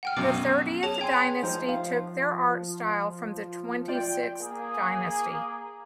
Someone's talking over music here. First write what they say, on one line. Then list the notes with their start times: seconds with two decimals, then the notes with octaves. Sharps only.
The Thirtieth Dynasty took their art style from the Twenty-Sixth Dynasty.
0.03 F#5 G5 F6
0.17 B1 F#2 B2 D6
0.83 G#4 C#5 A5
1.01 G5 G#5 C6
1.43 F3 D#4 C5 G5
1.69 F5
3.88 F4 D5 G5
4.40 A#3 G#4